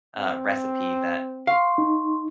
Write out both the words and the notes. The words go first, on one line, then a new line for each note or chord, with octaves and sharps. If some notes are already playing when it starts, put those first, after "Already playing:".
uh, recipe that
C4
F5 C6 C#6
D#4